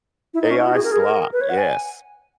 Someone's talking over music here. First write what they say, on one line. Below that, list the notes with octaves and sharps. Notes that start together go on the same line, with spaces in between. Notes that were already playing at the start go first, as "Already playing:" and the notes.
AI slop, yes.
E4
D#4
C#4
E4
F#4
G#4
A#4
G#4
A#4
B4
C#5
F#5
G#5